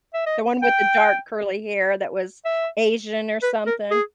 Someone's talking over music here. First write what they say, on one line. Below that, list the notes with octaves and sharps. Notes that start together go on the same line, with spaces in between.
The one with the dark curly hair that was Asian or something.
E5
D#5
G5
E5
B4
A#4
G#4